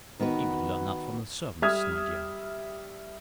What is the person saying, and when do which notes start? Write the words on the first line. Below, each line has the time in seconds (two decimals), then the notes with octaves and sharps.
"He would learn that from the servants, my dear."
0.19 D#3 B3 F#4 B4
1.62 G3 E5 D#6 F6 G#6